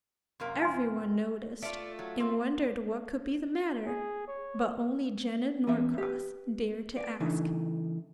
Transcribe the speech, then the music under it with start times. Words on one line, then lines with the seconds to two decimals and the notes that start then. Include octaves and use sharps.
Every one noticed, and wondered what could be the matter; but only Janet Norcross dared to ask.
0.40 F#2 C3 A#3
0.62 G#5 C6
1.62 A3 F4 D5
1.99 F#3
2.20 C4
3.86 G#4
4.28 C#5
5.67 E3 B3 C#4 B4 E5
5.98 G4 B4
6.97 B4 D5
7.20 C#3 E3 A3 D4 D#4